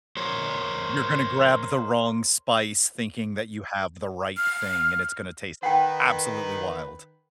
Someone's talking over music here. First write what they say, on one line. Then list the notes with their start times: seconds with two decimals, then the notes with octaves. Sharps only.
You're gonna grab the wrong spice thinking that you have the right thing, and it's gonna taste absolutely wild.
0.17 A#4 C5 C#5
4.37 F6
5.63 D#3 B4 F#5 G5